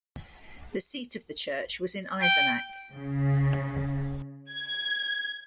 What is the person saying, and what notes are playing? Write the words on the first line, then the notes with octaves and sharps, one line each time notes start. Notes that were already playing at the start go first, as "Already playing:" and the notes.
The seat of the church was in Eisenach.
G5
C#3
G#6